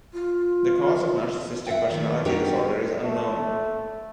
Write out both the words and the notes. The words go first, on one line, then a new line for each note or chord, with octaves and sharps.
The cause of narcissistic personality disorder is unknown.
F4
E5 F#5 G5
D#3 A3
D4 D#4 F#4 G4 A#4 C#5
A3